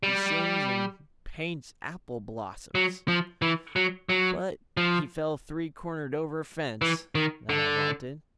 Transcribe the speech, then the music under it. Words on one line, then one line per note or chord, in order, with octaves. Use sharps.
He sings and paints apple blossoms, but he fell three-cornered over a fence that I vaulted.
G3
F#3
F3
E3
F#3
F#3
F3
E3
D#3
D3